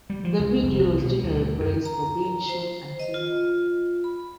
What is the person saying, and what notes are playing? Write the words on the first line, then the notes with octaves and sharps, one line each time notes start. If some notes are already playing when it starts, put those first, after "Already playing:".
The video was generally praised for being short and simple.
G3
F3
C#2
F1
C2
B2
D2
F#2
A#5
C5
D#5
F4
B5